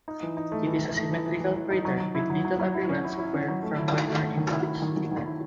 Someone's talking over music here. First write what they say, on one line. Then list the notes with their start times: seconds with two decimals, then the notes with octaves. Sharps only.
It is a symmetrical crater with little appearance of wear from minor impacts.
0.08 D#4
0.23 E3
0.37 D#4
0.52 A3
0.66 E3
0.82 E3
0.96 A3
1.11 E3
1.26 E3
1.40 E3
1.56 E3
1.70 D#4
1.85 F#3
2.00 F#3
2.15 E4
2.30 F#3
2.45 F#3
2.60 F#3
2.74 E4
2.89 C#4
3.04 E4
3.19 E4
3.34 C#4
3.48 F#3
3.63 A3
3.78 E4
3.92 D#3
4.08 A3
4.22 A3
4.37 D#3
4.52 E4
4.66 E4
4.82 D#3
4.96 D#3
5.11 D#3
5.26 E4